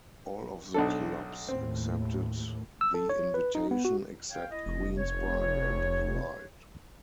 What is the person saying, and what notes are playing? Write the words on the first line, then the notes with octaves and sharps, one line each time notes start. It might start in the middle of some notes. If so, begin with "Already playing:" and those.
All of the clubs accepted the invitation, except Queen's Park and Clyde.
B1 D4 A4
D#2 A2 C4
E6
A4
C#5
B4
D#4
B3
F#4
C#5 F5 G5
E4 D#5
F1
C#5